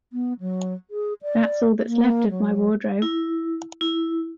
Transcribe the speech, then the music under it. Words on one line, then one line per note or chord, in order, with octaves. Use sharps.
That’s all that’s left of my wardrobe.
B3
F#3
G#4
D5
A#3
F#3
E4
E4